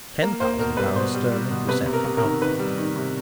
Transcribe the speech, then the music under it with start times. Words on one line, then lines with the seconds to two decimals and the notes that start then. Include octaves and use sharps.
Ten thousand pounds sterling were sent for outfit.
0.22 A#3 A#4
0.40 A#3 C5
0.58 B2 A#4
0.77 G3 B4
0.96 B2 C5
1.14 G3
1.31 G3
1.50 B2
1.68 C3 B4
1.86 C3
1.93 A#4
2.04 C3
2.17 A#4
2.23 D#3
2.41 D#3 B4
2.59 G3
2.78 D#3
2.96 C3